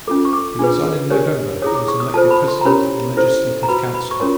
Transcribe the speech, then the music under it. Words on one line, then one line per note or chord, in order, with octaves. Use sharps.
He resigned in November and was elected president of the Legislative Council.
C#4 F4 A4 D6
C#6
D6
D4 F4 G#4 B4
D4 G4 A#4 C#5
E4 G#4 C#5 D#6
D6
C#6
D#6
F4 A4 C5 A5
B5
C6
A#5
C#4 E4 G4 A#4 C#5 B5
E4 A4 C5
A#5
F#4 B4 B5
B5
C#6
C#4 F4 A#4 C#5 C6